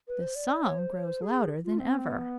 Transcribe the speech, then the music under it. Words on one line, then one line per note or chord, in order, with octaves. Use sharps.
The song grows louder than ever.
B4
C5
D5
C#5
C5
C#5
C5
G#4
F4
C4
B3